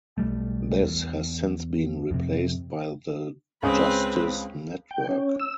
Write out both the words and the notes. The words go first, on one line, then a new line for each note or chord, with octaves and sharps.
This has since been replaced by the Justice Network.
B1 G3 A3
E2
F2 C3
C#2 C4 C#4 B4 D#6
G5
C#4
E6